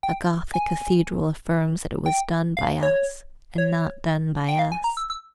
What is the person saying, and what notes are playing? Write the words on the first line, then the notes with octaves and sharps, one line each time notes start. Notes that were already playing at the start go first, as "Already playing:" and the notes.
A Gothic cathedral affirms that it was done by us and not done by us.
G5
G#5
G5
F5
C#5
C#5
G5
F5
G#5
A#5
E6
E6